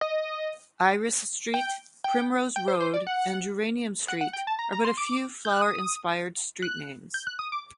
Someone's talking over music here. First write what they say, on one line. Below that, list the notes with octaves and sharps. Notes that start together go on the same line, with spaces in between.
Iris Street, Primrose Road, and Geranium Street are but a few flower-inspired street names.
D#5
G5
G5
G5
C5
C5
D5
F#5
F#5
F#5
G5
A5
A#5
A#5
C6
D6
G6
F#6
D#6
F#6
G6
F#6
D#6
D6